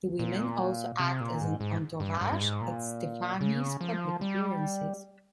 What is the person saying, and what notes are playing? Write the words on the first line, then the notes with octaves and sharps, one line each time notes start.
The women also act as an entourage at Stefani's public appearances.
A#2
C3
A#2
G#2
G#2
G2
G2
G2
G#2
A#2
C#3
F3
G3